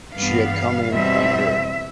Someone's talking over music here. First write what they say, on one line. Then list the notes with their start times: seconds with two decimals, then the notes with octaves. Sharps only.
She had come in unheard.
0.14 G2 E3 G3 B3 F5
0.92 E2 B2 G3 C4 E5